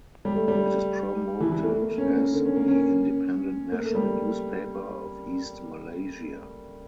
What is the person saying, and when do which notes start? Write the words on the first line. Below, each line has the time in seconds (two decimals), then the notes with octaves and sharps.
It is promoted as the "Independent National Newspaper of East Malaysia".
0.25 G3
0.36 A3
0.48 G3
1.40 E3
1.52 E3
1.63 A3
1.82 A#3
1.98 C#4
2.15 A#3
2.33 D3
2.45 C#4
2.56 A#3
2.68 C#4
3.72 A#3
3.83 A3
3.95 G3